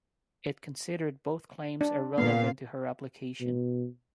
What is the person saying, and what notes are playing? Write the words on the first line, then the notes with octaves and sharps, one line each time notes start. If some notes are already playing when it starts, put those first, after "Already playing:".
It considered both claims irrelevant to her application.
D4
A#2 B3 F5
B2